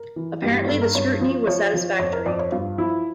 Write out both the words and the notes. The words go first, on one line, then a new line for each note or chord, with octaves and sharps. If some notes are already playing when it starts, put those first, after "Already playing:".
Apparently the scrutiny was satisfactory.
Already playing: A#4
E3
G2 G4
G4
G2 A4
A#4
G2 C#5
F3
F3 C#5
F3
F2 C#5
A#4
F2 D5
C#5
G2 F4
F3 E4